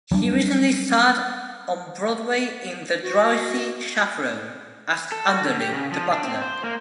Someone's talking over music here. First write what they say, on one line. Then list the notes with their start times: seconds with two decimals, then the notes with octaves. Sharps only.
He recently starred on Broadway in "The Drowsy Chaperone" as Underling, the butler.
0.11 F#3 G3 C#4 D4
3.02 F#4
5.12 A4
5.28 F#4
5.45 D3
5.60 G4
5.72 C#3
5.92 F3
6.12 D4
6.24 C4
6.42 C5
6.64 A#3